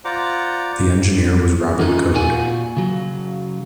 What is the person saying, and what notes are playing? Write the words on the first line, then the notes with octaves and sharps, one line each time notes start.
The engineer was Robert Coad.
F4 C5 D5 F#5 A#5 D6
E3 C#4 D#4 F4 B4
A#2 F4 F#4 G#5
C#3 F#3